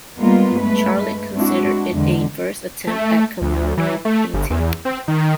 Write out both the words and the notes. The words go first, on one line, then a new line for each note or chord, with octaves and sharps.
Charlot considered it a first attempt at "communal painting".
G3 G#3 A#3 B3 F4
G2 G#3 A3 B4
G#3 C4 D4 E4 F#4
E2 D3 G#3
A3
D2
E3
A3
G1
E2
C4
D#3